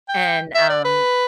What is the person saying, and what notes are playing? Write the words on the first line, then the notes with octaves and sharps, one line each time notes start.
And, um,
G5
E5
D5
B4